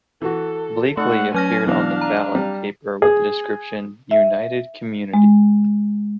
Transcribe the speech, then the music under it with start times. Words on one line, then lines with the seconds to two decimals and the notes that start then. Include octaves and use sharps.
Bleakley appeared on the ballot paper with the description 'United Community'.
0.22 E3 F#4 A4
0.97 A3 D#4 A4 F#5 C#6
1.34 F#3 C#4 G#5 F6 A#6
1.66 E2 B2 E3 D4 F5
2.01 A#5
2.35 G3
3.02 G#4
4.11 E5
5.14 G#3